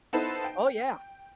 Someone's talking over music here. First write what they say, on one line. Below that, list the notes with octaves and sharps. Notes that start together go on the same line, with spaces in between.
Oh, yeah.
B3 D#4 E4 A4 B4 C5
G5